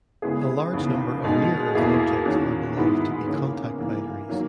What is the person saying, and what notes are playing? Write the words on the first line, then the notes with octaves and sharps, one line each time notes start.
A large number of near-Earth objects are believed to be contact-binaries.
C#3 G#3 B3 E4 G#4
D#2 C#3 E3 B3
B2 G#3 D#4 G#4
E2 B2 A#3 E4 G#4
E2 D#3 A#3 C#4 F#4
G#2 D#3 G#3 B3 E4
C#3 E3 A#3 C#4
G#2 E3 A#3
D#3 F#3 A#3